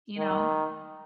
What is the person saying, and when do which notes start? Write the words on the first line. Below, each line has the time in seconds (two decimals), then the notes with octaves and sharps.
you know?
0.18 D#3